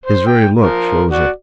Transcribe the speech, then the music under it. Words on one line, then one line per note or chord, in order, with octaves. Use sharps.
His very look shows it.
C5
G5
F3 A#4
F#4 D5